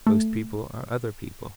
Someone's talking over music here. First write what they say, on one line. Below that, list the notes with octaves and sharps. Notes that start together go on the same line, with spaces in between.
Most people are other people.
A3